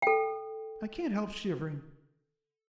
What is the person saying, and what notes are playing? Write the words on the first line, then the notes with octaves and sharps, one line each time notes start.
I can't help shivering.
A4 G5